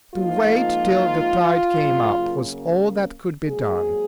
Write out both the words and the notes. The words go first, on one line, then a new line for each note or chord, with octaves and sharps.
To wait till the tide came up was all that could be done.
G#2 F3 A#3 D#4 F4
F#2 C#3 F#3 A#3 C#4
G#2 F#3 A#3 G#4